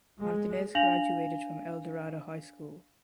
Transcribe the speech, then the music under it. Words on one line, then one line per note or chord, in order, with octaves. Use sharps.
Martinez graduated from Eldorado High School.
G#3
D4 F5 G#5 A#6 F7 F#7